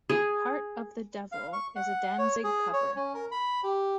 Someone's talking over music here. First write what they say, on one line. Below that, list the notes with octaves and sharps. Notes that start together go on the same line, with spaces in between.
"Heart of the Devil" is a Danzig cover.
G#4
F5
C#6
F#5
C#5
G#4
C#5
C#4
A#4
B5
G4